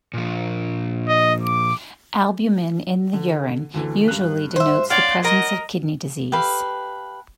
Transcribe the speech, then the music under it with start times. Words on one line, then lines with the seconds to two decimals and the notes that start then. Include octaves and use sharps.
Albumin in the urine usually denotes the presence of kidney disease.
0.14 A#2 F3
1.08 D#5
1.43 D6
3.13 D3
3.74 D2 D3 E3
4.08 G2 F#6
4.56 C5 E5
4.90 C#5 D5 F5 F#5 C6
5.24 A#4 D#5
6.32 G4 A4 B4 F5